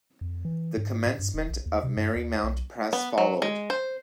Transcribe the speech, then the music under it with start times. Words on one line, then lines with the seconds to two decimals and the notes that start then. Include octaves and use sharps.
The commencement of Merrymount Press followed.
0.21 F2
0.45 E3
0.77 G#2
1.07 A2
1.19 G2
1.34 E1
1.50 A#1
1.66 D#2
1.84 C3
1.97 G2
2.16 D#2
2.44 B1
2.93 B3
3.18 F#3
3.42 G#3
3.70 C5